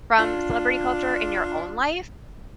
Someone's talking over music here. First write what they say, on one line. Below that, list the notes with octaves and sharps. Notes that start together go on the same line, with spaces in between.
from celebrity culture in your own life,
D4 F4